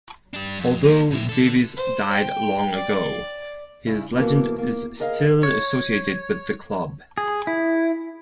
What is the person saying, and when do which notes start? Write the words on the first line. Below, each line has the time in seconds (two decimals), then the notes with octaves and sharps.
Although Davies died long ago, his legend is still associated with the club.
0.34 D4 G4
0.59 F2
0.83 D#3 A#3
1.11 A#2 E5
1.29 D3 A4
1.76 C5
2.12 G5
2.75 D5
3.87 G2 C#3 E4
4.16 B2 E3 A#3
4.58 A#3
5.00 G#4 A#4 D#5 F5
5.43 C#5
7.18 G#4
7.47 E4